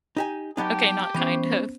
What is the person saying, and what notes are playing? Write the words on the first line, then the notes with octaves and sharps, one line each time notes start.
okay, not kind of.
D#4 G4 G#5
F#3 B3 D#4 G4 A5
E3 B3 C#4 C5